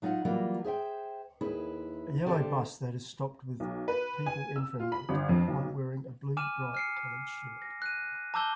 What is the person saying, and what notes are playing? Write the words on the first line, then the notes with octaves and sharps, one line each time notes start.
A yellow bus that is stopped with people entering it one wearing a blue bright colored shirt.
F#3 D#4 F4 D#5 F#5
E3 F#3 G3 A#3 F4
G#4 C5 E5 G5
D#2 E4 G#4 B4
D3 G4 A4 C5
B1
B4
G#5
E6
F4
B5
G1
F2
B1
G#5 D6 F6 D#7 E7
F6 C7 C#7
A#6
F#6 D#7
A5 A#5 D6 E6 G6 G7